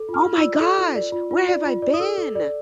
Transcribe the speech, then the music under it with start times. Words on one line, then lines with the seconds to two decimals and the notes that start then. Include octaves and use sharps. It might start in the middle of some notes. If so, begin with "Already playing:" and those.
Oh my gosh, where have I been?!
Already playing: A4
0.09 F4
0.14 F6
0.25 F4
0.37 E6
0.43 D5
0.60 A4
0.78 F4
0.95 D5
1.12 F4
1.31 F4
1.48 D5
1.65 F4
1.82 D5
1.94 D#6
2.00 A4 E6
2.18 A4
2.35 D5